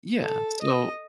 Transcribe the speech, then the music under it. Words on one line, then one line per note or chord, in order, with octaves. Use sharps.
Yeah, so
A4
D#5